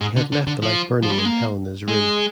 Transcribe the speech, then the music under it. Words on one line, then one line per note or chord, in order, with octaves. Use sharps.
He had left the light burning in Helene's room.
G#2
D3
D3
D3
F3
F3
G3
G#3
A#3
G#3